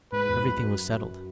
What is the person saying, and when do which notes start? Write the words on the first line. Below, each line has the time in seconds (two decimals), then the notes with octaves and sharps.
Everything was settled.
0.12 G#2 B4
0.28 E2
0.40 G#2
0.45 F#2